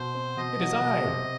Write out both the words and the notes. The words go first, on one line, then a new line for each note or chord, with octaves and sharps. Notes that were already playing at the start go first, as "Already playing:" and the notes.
"It is I."
Already playing: B2 C5
C4
B2 D#5
F#3
B2
C3